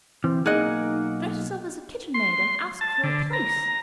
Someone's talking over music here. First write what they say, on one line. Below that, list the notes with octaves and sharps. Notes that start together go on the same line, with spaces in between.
'Dress yourself as a kitchen-maid and ask for a place.
E3 C4
B1 A#3 D#4 G#4 D#5 F#5
C6
A5
D3
A#5